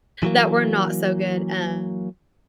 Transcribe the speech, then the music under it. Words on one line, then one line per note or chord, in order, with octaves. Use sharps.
that were not so good, uh,
E3 F#3 A#3